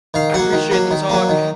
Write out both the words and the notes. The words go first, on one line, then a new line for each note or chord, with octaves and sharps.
I appreciate the talk.
D#3 F5
F#3 A#3 F#5
D#3
F#3 A#3
D#3
F#3 A#3
D#3